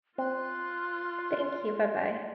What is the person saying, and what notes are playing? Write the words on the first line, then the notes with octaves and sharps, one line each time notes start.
thank you, bye-bye.
C4 F4 C6 F#6